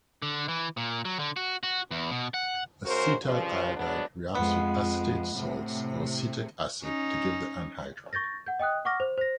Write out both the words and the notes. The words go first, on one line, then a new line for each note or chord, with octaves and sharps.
Acetyl iodide reacts with acetate salts or acetic acid to give the anhydride.
D3
E3
A#2
F#3
D3
F#4
F#4
E2
B2
F#5
C#3 G#3 F#4 A#4 C5
G2 C#3 F3
D2 F#3 G#3 B3 D4
F2 G#3 B3
A2 C3
C#4 D#4
C#6 G6 A6 A#6
F#5 G6
D#5 G5 D#6 F#6
F#5 C#6 D6 F6 A#6
C5
C5 A#6